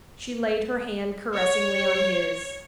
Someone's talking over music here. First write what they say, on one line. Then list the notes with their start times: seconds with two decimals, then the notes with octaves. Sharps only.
She laid her hand caressingly on his.
1.35 C#5